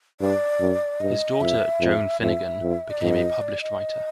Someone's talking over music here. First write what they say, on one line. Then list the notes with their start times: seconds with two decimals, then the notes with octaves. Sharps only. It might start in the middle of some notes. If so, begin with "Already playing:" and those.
His daughter Joan Finnigan became a published writer.
0.21 G2 D5
0.60 F#2
1.01 G2 D#5
1.41 F2 E5
1.80 F2
2.20 F2 E5
2.61 F2
2.90 D5
3.01 F2 D#5
3.41 D5
3.61 D#5